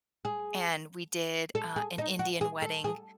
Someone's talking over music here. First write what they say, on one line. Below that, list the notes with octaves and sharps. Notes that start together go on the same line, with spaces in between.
and we did, uh, an Indian wedding
G#4
A4
G#4
D#4
F#4
G#4
A4
G#4